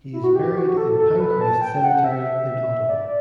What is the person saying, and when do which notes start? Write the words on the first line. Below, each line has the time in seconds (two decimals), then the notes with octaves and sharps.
He is buried in Pinecrest Cemetery in Ottawa.
0.13 E4
0.24 F#4
0.35 G4
0.56 F#4
0.77 A4
0.98 A4
1.20 B4
1.41 A5
1.61 G5
1.83 F#5
2.04 E5
2.89 D5